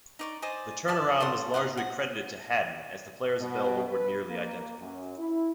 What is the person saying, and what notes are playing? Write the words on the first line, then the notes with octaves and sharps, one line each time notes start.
The turnaround was largely credited to Hadden, as the players available were nearly identical.
D#4 D5 C#6
C5 D5 D#5 G#5
D5 E5 A5
A4 C#5 F#5 C6
D#4 F4 F5 F#5
F#5
B2
B4
A#3
F#2
E4